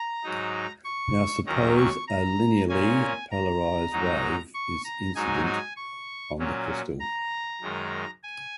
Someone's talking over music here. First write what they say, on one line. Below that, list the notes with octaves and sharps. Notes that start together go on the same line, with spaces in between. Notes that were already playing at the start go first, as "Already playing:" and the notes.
Now suppose a linearly polarized wave is incident on the crystal.
Already playing: A#5
G#2 F#3 D#4
C#6
D#2 D#3 F#3 C#4 A#5
C#6
A#5
A#2 A#3 C#4 G#5
A#5
G#2 F#3 D#4
C#6
A#5
G#2 F#3 D#4 G#5
G#5
C#6
A#2 F#3 C#4
A#5
F#2 D#3 G#3
G#5